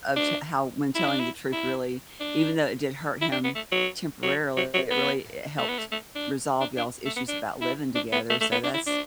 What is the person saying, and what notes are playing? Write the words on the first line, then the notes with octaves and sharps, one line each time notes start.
of te how when telling the truth really even though it did hurt him temporarily, it really it helped resolve y'all's issues about living together, so that's
D4
E4
D4
E4
E4
D4
E4
D4
B3
A3
F#3
F#3
F#3
F#3
B3
A3
B3
A3
A3
D4
D4
D4
A3
B3
D4
E4
D4
B3
A3
A3
B3
D4
E4
D4